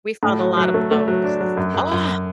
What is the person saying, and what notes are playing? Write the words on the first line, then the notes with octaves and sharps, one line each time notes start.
We found a lot of those. Ah!
A2
F#3
F#3
A3
A3
F#3
D4
F#3
F#2
F#2
F#2